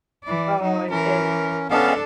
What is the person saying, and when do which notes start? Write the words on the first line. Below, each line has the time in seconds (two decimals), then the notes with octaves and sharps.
Oh, and and but
0.24 E3 D5
0.60 F#3 D#4
0.90 E3 C#4 A#4
1.70 B3 C#4 D4 A4 F5